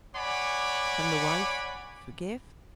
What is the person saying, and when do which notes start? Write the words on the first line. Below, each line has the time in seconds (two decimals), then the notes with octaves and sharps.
Can the wife--Forgive?
0.16 C#5 D5 F#5 G#5 B5 D6